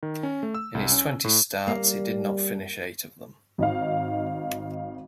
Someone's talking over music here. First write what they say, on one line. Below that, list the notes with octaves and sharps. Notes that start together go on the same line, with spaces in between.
In his twenty starts, he did not finish eight of them.
D#3
C#4
A3
E6
C2
C#4
A2
G3 A#3
G#1 D#4 F5